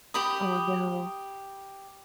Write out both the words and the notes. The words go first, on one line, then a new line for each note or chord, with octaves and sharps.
Oh, no.
G4 B5 D#6